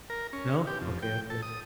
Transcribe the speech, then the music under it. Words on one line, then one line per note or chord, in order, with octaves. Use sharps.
No? Okay, okay.
A#4
C#4
G4
F2
G5
A4
D#6